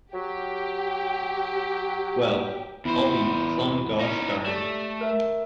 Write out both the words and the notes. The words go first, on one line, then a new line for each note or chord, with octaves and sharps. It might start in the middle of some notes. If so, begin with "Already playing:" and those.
Well, I'll be plumb gosh darned.
F#3 G4
E2 B3 E4 C5 B5
C#4 D#4
A3 G4 D5
A#4 E5